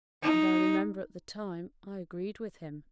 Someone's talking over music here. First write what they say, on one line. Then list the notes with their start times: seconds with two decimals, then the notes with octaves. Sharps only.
And I remember at the time I agreed with him.'
0.23 D#4